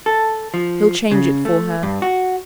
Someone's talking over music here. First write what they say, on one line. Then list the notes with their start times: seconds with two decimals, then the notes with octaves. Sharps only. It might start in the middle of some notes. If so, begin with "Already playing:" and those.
He'll change it for her.'
0.06 A4
0.54 F3
1.11 C#3
1.45 A3
1.83 G2
2.02 F#4